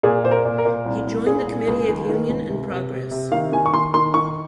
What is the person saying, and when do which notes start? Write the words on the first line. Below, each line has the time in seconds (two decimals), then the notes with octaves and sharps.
He joined the Committee of Union and Progress.
0.03 A#2 G#4
0.24 A#2 C5
0.31 A#4
0.45 A#2
0.58 A#4
0.65 A#2
0.86 C2
1.07 C2
1.26 A#2 G#4
1.47 C2
1.68 C#2
1.89 D#3
2.09 D#3
2.29 C#2
2.50 C3
2.71 C3
2.91 C3
3.11 C3
3.32 D#3 F5
3.52 D#3 G#5
3.66 C#6
3.74 D#3 C6
3.94 D#3 C6
4.14 D#3 C#6